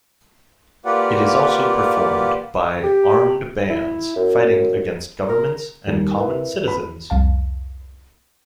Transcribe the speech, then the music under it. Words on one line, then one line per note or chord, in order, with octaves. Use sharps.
It is also performed by armed bands fighting against governments and common citizens.
A#3 F4 G4 B4 D5 F#5
G4
E4
F#2
A#4
D#2 G3
E4 A#4 B4 E5
B4 B5
C2 F2 F5 A5